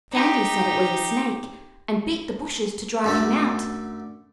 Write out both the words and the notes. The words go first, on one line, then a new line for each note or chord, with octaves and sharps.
Sandy said it was a snake and beat the bushes to drive him out.
D#4 G4
F#2 D3 A3